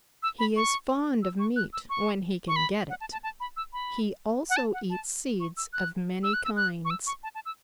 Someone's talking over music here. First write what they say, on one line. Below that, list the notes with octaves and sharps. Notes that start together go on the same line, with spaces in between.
He is fond of meat when he can get it. He also eats seeds of many kinds.
E6
B5
C#6
E6
C#6
F#6
E6
C#6
C#6
B5
F#5
A5
A5
A5
B5
E6
B5
F#5
A5
F#5
A5
C#6
E6
F#6
E6
F#6
E6
F#6
C#6
E6
C#6
A5
A5
E6